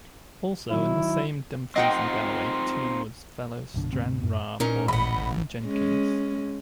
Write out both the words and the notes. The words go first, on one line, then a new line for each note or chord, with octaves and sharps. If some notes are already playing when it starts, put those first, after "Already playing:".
Also in the same Dumfries and Galloway team was fellow Stranraer boy Allan Jenkins.
D#3 F#3 D#4 E4
C4 D#4 F4 D#5 F#5 G5
A#1 F#2 B2 D3
D2 G#2 C3 C4
F#2 A2
A#2 C#4 D#4 A#4
A1 D#5 F#5 B5
G#3 C#4